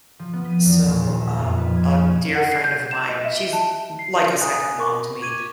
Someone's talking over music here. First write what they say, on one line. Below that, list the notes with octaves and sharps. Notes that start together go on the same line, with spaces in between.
So, um, a dear friend of mine, she's l like a second mom to me,
F3
B3
D#7
E2
A#2
D#2
E5
F2
B4
G#6
C#4
F#5
C7
G6
E7
D#5
E5
G7
A5
C7
G#5 A#5 D#6 F#6
A#4 C#6 D6
G#6 D#7